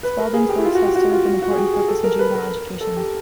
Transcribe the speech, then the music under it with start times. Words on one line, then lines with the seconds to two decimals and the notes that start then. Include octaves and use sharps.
Spaulding's works have served an important purpose in juvenile education.
0.03 B4
0.19 A#4
0.34 G#4
0.49 G4
0.58 E4
0.65 F4
0.75 F#4
0.85 G4
0.96 F#4
1.11 F4
1.26 F#4
1.42 F#4
1.51 G#4
1.57 G4
1.73 G#4
1.88 A4
2.04 A#4
2.19 B4
2.35 A#4
2.81 A4
2.96 G4